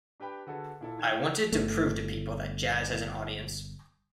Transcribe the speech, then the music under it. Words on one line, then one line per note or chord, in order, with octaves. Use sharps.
I wanted to prove to people that jazz has an audience.
D4 G4 B4 G5 B5
D3 F#4 G#4 A4 B4
A#2 E4 A4
D#3 G#6 E7 G7
G1 A3